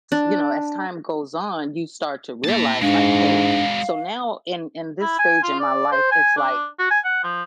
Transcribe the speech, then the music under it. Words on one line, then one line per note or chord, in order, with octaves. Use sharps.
you know, as time goes on, you start to realize, like, "Hey," so now in in this stage in my life, it's like
D4
A#3 E4 A5
G#2 G#3 D4 F#4 F5
E4
G#5
F4
D5
C5
G#5
D4
F#4
G#5
F#5
F3